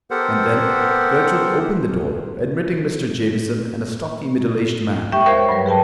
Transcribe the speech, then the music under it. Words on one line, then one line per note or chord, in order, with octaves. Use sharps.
And then Gertrude opened the door, admitting Mr. Jamieson and a stocky, middle-aged man.
B3 G4 A4 A#4 C5 F#5
G#3 G4 E5 G5 C#6
D#2 A#4 C5 F5 G#6
C#5
G2 F#3 G3 B4
G#4 B4 G5 A5